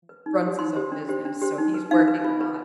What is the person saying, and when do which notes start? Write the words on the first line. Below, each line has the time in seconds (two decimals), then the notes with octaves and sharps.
r runs his own business, so he's working a lot.
0.09 B4
0.26 D#4
0.42 G4 C5
0.59 D#4 C6
0.76 G4 C5
0.92 D4
1.09 G4 C5
1.25 D4
1.42 G4 C5
1.58 D#4
1.74 B4
1.91 D#4 F5
2.08 B4
2.24 F4
2.41 B4